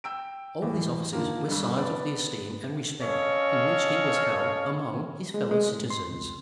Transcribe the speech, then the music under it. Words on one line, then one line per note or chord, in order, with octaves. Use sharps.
All these offices were signs of the esteem and respect in which he was held among his fellow citizens.
G5 E6 D7
E2 A2
D3 D#3 F3 A#3
G1 G2
B3 D4 D5
C#4 A4 C#5 D#5 F5
G#3
G#3
A2
C6
C#2